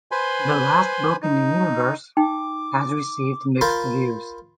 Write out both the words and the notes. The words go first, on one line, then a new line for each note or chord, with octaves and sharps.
"The Last Book in the Universe" has received mixed reviews.
B4 C5 G#5 B5 C6
D#4
D#4 G5 D6
F4 A#4 C5 B5